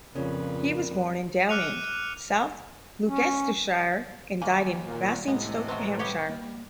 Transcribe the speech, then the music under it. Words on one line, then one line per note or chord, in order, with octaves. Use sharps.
He was born in Downend, South Gloucestershire and died in Basingstoke, Hampshire.
F2 A#2 C#3 B4
D6 F6 F#6 C#7 D#7 F7
C#4
D#2 A#3 G#5
A#2
A2 C3 E3 G#3 B3 D#5
F#3 C4 B4 A5 A#5
G3 B3 G4 C#5
A#3